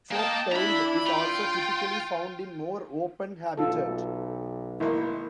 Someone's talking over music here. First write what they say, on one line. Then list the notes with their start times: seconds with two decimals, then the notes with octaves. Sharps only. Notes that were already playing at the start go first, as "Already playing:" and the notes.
Fork-tailed is also typically found in more open habitat.
0.11 A#3 D#5 G5 A5
0.52 D4 E4 A#5 B5
1.06 F4 G5
3.57 B1 F4 A4
4.80 G#1 A#3 E4 A#4